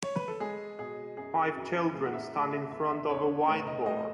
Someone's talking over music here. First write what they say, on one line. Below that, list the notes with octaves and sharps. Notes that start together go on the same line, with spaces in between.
Five children stand in front of a whiteboard.
C#5
B4
A4
G#3 G#4
B2 G#4
F#2 G#4
F#2
A2 G#4
F#5
E5
A2
E5
E2 E5
E5
E2 C#5
A2 B4
D#5
A2 D#5